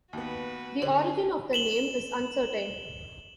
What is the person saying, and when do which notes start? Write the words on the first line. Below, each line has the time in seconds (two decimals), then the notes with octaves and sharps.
The origin of the name is uncertain.
0.13 D#2 B3 F#4 B4
0.82 D3 C#4 G#4 F#7
1.53 E7 F#7 G7